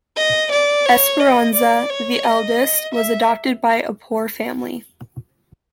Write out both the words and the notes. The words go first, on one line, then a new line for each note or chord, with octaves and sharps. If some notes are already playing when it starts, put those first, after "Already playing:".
Esperanza, the eldest, was adopted by a poor family.
D#5
D5
C#5
D#5
D5
C#5
D#5
E5